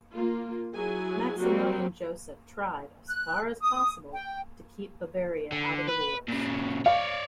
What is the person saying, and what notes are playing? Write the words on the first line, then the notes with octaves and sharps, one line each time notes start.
Maximilian Joseph tried, as far as possible, to keep Bavaria out of the wars.
A#3 F4
F#3 E4 G#4 G#5
F#3 G3 A#3 C4 F#4
F#6
D#6
G5
D3
B4
A#2 C#3
C#5 D5 F5